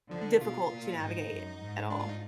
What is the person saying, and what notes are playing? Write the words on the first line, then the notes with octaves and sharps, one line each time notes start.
difficult to navigate, at all.
D3 F3
D4
B2 F4
A#2
G#2 D#4
F#2
G#2
D4
F4
D#4